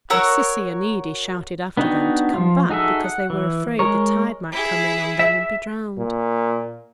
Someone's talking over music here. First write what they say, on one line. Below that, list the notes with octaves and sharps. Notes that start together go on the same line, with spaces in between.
And Cissy and Edy shouted after them to come back because they were afraid the tide might come in on them and be drowned.
F#4 A#4 C#5 E6
B3 D4 D#4 F#4 G5
F3 F4
D#4 F#4 G#4 A4 E5
F#5
E3
G#3 A#4 C#5
E4 G#4
E5
A#2